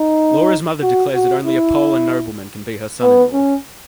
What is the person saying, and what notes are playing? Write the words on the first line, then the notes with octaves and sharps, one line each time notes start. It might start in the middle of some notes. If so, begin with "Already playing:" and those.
Laura's mother declares that only a Pole and nobleman can be her son-in-law.
Already playing: D#4
F#4
F#4
E4
B3
C#4